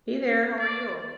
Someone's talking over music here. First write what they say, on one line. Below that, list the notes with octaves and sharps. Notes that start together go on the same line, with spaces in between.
Hey there, how are you?
D5